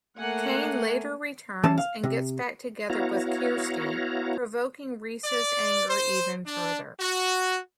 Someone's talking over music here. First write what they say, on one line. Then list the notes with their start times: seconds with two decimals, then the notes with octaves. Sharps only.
Kane later returns and gets back together with Kirsty provoking Rhys' anger even further.
0.18 A3 A#3 F#5 G#5
1.64 E3 C#4 A5
1.78 F5
2.03 C3
2.90 B3 E4 F#4 C#5 F5 A#5
5.24 D5
5.88 C5
6.45 D4
6.99 F#4